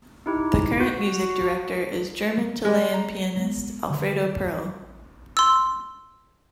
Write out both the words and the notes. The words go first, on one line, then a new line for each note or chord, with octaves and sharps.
The current music director is German-Chilean pianist Alfredo Perl.
D#4 E4 G4
F#4 G6
G3
G#3
A#5
G#3 B3
D3 D#3
C6 E6